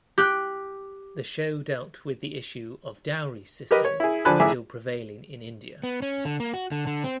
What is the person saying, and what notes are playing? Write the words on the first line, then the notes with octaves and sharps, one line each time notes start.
The show dealt with the issue of dowry system still prevailing in India.
G4 F#6
G4 A#4 B4 D#5
C#5
E4 G#4
D3 F3 G#5 A5 B5 F#6
A1 G#4 E5 D6 E6
B3
C#4
D3
A#3
F#4
D3
D3
C4